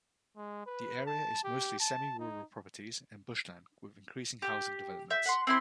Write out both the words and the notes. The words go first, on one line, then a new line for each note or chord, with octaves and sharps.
The area is mostly semi-rural properties and bushland with increasing housing developments.
G#3
B4
A5
G4
A5
D#4
G4
E5 G6
F#5 C6
C4 E4 C6